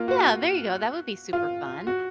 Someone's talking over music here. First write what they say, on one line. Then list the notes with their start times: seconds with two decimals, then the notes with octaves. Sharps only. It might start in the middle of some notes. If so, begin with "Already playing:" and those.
Yeah, there you go, that would be super fun.
Already playing: A#3 F4
0.08 F#4
1.33 F4
1.87 F#4